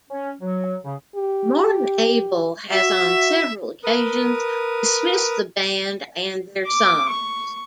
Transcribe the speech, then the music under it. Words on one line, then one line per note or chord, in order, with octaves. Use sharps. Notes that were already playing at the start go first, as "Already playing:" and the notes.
Morten Abel has on several occasions dismissed the band and their songs.
C#4
F#3
C#3
G4
F#4 E5
A#4 B4 D#6
D6
C#6